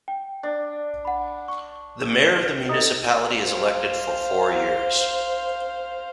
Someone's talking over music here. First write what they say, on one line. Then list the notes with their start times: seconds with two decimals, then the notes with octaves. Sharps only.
The Mayor of the municipality is elected for four years.
0.08 G5
0.43 D4
1.05 F#5 B5
1.48 C#6
2.69 D#4 A4 D#5 D#6
3.43 C5 F5